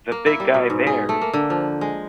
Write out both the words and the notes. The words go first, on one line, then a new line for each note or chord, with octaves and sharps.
The big guy there!
A#3
E4
G3
B2
G#2
G#4
A3
A#3
D3
F3
G#3